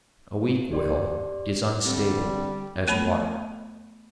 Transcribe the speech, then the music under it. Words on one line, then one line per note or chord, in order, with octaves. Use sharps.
A weak will is unstable as water.
G4 D5 C6
D3 G3 C4
A3 B3 B5